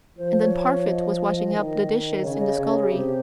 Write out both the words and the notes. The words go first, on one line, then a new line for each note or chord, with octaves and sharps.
And then Parfit was washing up the dishes in the scullery.
F3 C5
C5
C#5
C#5
D#5
D#3
C#3 C#5
C#5
D#5
C#3 C#5
G#4
C3 G4